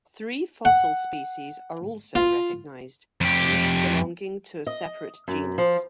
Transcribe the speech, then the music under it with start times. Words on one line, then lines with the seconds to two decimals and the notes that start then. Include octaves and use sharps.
Three fossil species are also recognised, each belonging to a separate genus.
0.65 F#5
2.15 F4
3.21 F2 G4
4.67 D#5
5.28 F#2
5.58 F3